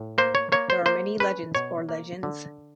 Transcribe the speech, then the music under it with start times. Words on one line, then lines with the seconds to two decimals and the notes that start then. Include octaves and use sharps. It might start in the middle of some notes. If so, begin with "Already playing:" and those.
There are many legends or legends.
Already playing: A2
0.18 A#3 C5
0.35 C#5
0.52 A#3 C#5
0.70 C5
0.86 A#3 C5
1.20 C#4 B4
1.55 B2 C#5
1.89 A#3
2.23 D3